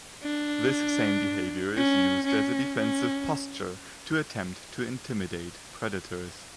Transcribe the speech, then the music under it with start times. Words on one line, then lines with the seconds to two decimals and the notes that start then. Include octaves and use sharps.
This same behavior is used as a defensive posture to attempt to intimidate predators.
0.23 D4
1.77 C#4
2.27 C#4
2.79 C#4